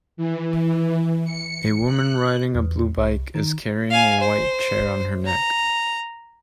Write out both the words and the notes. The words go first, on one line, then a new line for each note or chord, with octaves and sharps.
A woman riding a blue bike is carrying a white chair on her neck.
E3
C#7
F#6
E2
C2
D#3
F5 G#5
C5
A#5